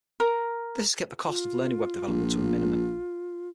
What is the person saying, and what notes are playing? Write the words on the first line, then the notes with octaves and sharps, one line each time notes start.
This has kept the cost of learning web development to a minimum.
A#4
F4
A#1